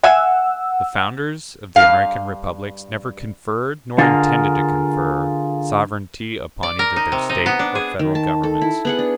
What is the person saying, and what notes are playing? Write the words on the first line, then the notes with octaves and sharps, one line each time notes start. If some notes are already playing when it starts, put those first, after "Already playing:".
The founders of the American republics never conferred, nor intended to confer, sovereignty upon either their State or Federal Governments.
E5 F#5 G#5 E6
G2 F5
D3 F4 G#4 A#4
D5
A#4
D#4
C3
D#4
B3
D4
G#4
D#3
A5
A4
E4
B3 G#4 F#5
D4